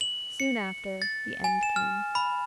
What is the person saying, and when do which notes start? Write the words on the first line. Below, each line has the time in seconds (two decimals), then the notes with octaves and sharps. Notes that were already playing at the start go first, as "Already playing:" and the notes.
Soon after, the end came.
0.01 F#7
0.40 C#7
1.02 A6
1.44 G#5
1.63 E7
1.76 F6
2.15 B5